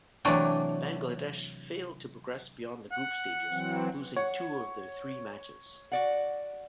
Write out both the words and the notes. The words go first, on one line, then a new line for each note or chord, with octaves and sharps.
Bangladesh failed to progress beyond the group stages, losing two of their three matches.
C3 E3 F#3 A3 D4
F#5
E3 F#3 C4
C#5 F#5
F#4 D5 F#5